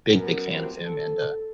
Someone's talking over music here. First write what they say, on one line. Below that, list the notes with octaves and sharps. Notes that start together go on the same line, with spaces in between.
big big fan of him and, uh,
F#2 B3 A#4
A2 C3 F3 F#3 B3 C4
A4